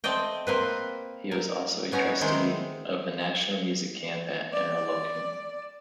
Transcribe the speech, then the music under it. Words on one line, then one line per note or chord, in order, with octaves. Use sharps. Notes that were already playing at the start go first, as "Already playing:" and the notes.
He was also a trustee of the National Music Camp at Interlochen.
A3 C4 D5 D#5 G5
A#3 C4 B4
A#4
B3 C#4 D#4 A#5
D#3 G#3 C4 D#4 E4
D5